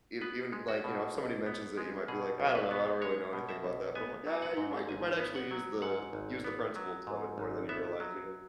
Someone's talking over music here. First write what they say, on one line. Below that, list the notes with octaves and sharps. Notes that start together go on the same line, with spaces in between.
ev even, like, you know, somebody mentions that you might be like, "I don't know. I don't really know anything about that," but I'm like, "Yeah. You might you might actually use the use the principles of it more than you realize," you know?
B3 B4
G#3
F#4
B2
B1
B3
G#3
B2 G#4
B1
B4
B3
G#3 C#5
B2
E5
B1
B3 G#5
F#3
F#5
G#2
G#1 G#5
B3
F#5
F#3
G#2 F#5
G#1
B3
F#3
G#2
G#1
B3 E5
F#3